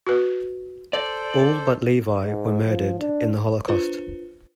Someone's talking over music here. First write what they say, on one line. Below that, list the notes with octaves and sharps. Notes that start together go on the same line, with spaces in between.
All but Levie were murdered in the Holocaust.
F#4 B4
A4 C5 D5
G#2
F3
D4
D4 F4 B4 C5